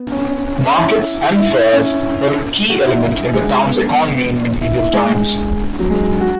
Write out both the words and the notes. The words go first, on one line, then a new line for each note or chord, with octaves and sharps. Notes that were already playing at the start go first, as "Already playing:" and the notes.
Markets and fairs were a key element in the town's economy in medieval times.
Already playing: B3
C#4
E4
E4
C#4
E4
F#4
E4
E4
G#3
B3
E4
E4
G#3
F#3
G#3
F#4